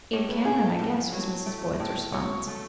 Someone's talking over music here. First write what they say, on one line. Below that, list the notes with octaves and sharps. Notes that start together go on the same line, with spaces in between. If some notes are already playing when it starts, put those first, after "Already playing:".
"Ada Cameron, I guess," was Mrs. Boyd's response.
A2 C#5
B4
A2 G#4
A4
A2
F#3
A3
A2
F#3 C#5
A3